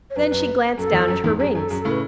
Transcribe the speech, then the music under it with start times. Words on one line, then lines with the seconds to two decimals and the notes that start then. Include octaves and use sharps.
Then she glanced down at her rings.
0.10 C#5
0.16 F#2 B4
0.31 F#2
0.78 F#2 A4
0.92 E2
1.08 F#2
1.24 E2 G#2
1.39 F#2 G#4
1.49 G#4
1.55 F#2
1.59 A4
1.69 F#2 G#4
1.80 A4
1.85 A2 C#3
1.91 B4